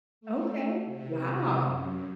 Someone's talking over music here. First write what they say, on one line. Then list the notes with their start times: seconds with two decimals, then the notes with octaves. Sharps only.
Okay. Wow.
0.21 A3
0.85 C3
1.64 F#2